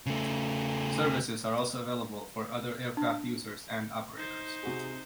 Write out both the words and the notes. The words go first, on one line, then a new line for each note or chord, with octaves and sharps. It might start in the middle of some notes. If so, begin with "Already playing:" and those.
Services are also available for other aircraft users and operators.
C#3 A3
D4
D#4 C5
C3 F#4 G#4